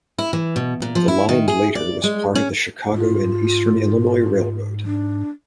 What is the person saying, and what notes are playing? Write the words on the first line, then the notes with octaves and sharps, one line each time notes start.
The line later was later part of the Chicago and Eastern Illinois Railroad.
E4
E3
B2
A#2
F3
E4
D#3
G#4
D5
G#3
C#4
G#2 F4
D4